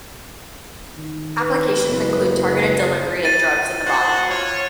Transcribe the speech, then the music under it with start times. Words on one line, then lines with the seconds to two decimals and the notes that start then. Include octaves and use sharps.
Applications include targeted delivery of drugs in the body.
0.98 D#3
1.39 B4
1.85 F#1
3.25 A6 D#7
3.85 F#4 C5 F#5
4.29 F4 C#5